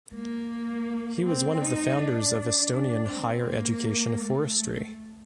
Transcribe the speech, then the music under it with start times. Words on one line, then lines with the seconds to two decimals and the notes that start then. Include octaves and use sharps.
He was one of the founders of Estonian higher education of forestry.
0.14 A#3
1.24 C4
1.61 D#4
1.98 D4
2.71 D4
3.08 C4
3.45 A#3
4.18 A3